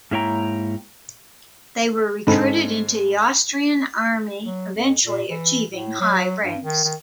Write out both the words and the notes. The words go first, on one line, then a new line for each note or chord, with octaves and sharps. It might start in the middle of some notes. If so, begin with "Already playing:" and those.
They were recruited into the Austrian army, eventually achieving high ranks.
G#2 A#3 E4 C#5 G5 A#5
G#2 D3 C4 D#4 A4 B5
F#3
F2
A#2
E3
A2
F#3
G2
D#3
D#3